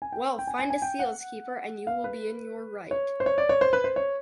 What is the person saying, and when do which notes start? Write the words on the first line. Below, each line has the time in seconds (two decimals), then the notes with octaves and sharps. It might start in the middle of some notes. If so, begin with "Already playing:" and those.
Well, find a seals keeper and you will be in your right!
0.02 G#5
0.12 G5
0.39 G5
0.47 G#5
0.59 G#5
0.70 G#5
0.82 G5
0.99 F#5
1.87 F5
2.04 B4
2.91 C#5
3.20 C5
3.26 C#5
3.38 D5
3.49 C#5
3.61 C5
3.73 B4
3.84 C5
3.96 C#5